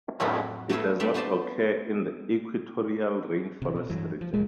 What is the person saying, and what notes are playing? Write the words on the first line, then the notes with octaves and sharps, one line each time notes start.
It does not occur in the equatorial rainforest region.
F2 A2 F#3 F#4 C#5 B5
A3 B3 E4 C#5 E5 F5
G3 A3 C4 D4
B3 F#4 C5 D5 A5 C6
C3 E3
B2
G2 E3 F#3
F3
F1 A#2 G#3